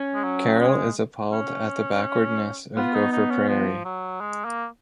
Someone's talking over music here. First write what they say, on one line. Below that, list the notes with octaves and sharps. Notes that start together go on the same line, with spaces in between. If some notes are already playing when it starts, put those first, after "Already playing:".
Carol is appalled at the backwardness of Gopher Prairie.
Already playing: C#4
G#3
F#3
G#3
C#4
B3 F4
D#4
D#4
C#4
F3
F#3
G#3
A#3